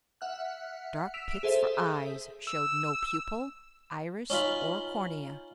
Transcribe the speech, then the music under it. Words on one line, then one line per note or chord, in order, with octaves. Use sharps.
Dark pits for eyes showed no pupil, iris, or cornea.
E5 F#5 F6 F#6
E6 B6 D7 E7 F7
G#4 A4 C5 E5
E6
C#4 D#4 F4 B5